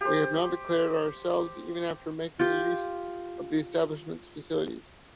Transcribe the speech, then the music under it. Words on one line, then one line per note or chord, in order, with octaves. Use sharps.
We have not declared ourselves even after making use of the establishment's facilities.
G4 C5
F4 G4